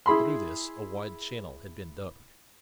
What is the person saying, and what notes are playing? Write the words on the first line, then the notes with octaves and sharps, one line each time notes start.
Through this a wide channel had been dug.
E4 G#4 B5 C6